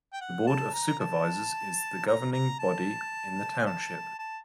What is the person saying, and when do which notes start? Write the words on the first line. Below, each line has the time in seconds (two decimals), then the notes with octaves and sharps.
The Board of Supervisors is the governing body in the Township.
0.13 G5
0.21 F#5
0.47 A5
0.74 A#5
1.00 A5
2.07 A#5
2.32 A#5
2.59 A5
3.59 G#5
3.66 A5
4.19 A5